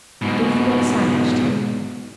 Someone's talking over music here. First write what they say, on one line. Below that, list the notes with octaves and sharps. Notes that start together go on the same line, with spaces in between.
Don't forget the sandwich-tin!
G#2 B2